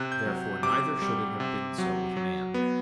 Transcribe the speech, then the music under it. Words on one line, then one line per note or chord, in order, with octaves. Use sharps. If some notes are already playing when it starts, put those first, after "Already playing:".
Therefore neither should it have been so with man.
Already playing: C3 F#6
G6
F#3
C3 D6
G3
C3
F#3
F#3
B3